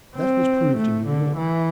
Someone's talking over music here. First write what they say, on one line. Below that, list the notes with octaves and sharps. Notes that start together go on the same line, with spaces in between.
That was proved in New York.
C4
A3
D3
E3